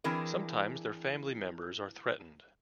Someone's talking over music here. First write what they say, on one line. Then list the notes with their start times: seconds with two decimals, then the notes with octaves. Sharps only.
Sometimes their family members are threatened.
0.04 E3 C4 D4 E4 G#4 A#4